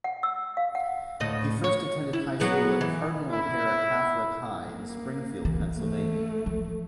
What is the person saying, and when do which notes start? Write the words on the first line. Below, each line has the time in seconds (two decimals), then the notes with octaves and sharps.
He first attended high school at Cardinal O'Hara Catholic High in Springfield, Pennsylvania.
0.04 F#5
0.23 E6
0.57 F5
0.75 F#5
1.20 D2 A2 D#5
1.64 C#5
2.13 E4
2.40 F#3 B3 G#4
2.81 E3
3.31 E4
4.72 A#3
5.45 E3
5.76 A3
6.46 E3 F3